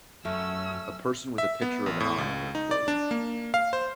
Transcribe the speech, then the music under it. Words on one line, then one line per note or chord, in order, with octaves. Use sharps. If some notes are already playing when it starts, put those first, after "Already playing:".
A person with a picture of an eye on their clothing.
F#2 A3 C#4 E6
E5
B3
A1
A2
C#2
D#4
D5
D4
A#3
F5
C5